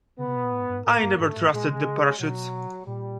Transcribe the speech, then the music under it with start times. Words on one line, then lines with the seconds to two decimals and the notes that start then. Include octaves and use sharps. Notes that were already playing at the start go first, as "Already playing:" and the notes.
I never trusted the parachutes.
0.18 C#3 B3
0.27 C3
0.36 B2
0.44 A#2
0.52 A2
0.60 G#2
0.69 G2
0.77 G#2
0.85 A2 A#3
1.03 G2
1.19 G#2 A3
1.36 G#2
1.53 A#2 G#3
1.64 C3
1.75 C#3
1.86 C#3
2.19 B2 F#3
2.86 A#2 G3